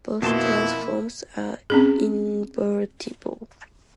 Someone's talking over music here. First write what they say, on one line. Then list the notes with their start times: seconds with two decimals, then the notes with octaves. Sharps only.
Both transforms are invertible.
0.22 F2 B2 A#3 E4 A5 C6
1.70 C4 C#4 G#4